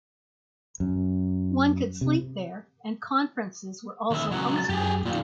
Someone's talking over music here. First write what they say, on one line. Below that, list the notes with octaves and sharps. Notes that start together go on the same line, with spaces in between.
One could sleep there and conferences were also hosted.
F#2
C3
D#2 E5
C#2 F#3
A5
F#2 G4 G#4
A#2 D#3 F4